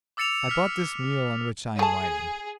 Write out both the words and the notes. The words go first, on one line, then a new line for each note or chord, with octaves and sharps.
'I bought this mule on which I am riding.'
D6 E6 A6 C#7 E7 F7
F6 B6
A3 G#4 A5